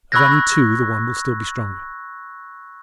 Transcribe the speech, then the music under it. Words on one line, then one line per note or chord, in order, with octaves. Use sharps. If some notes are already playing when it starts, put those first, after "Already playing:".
Of any two the one will still be stronger.
B5 C#6 E6 F#6 G#6 A#6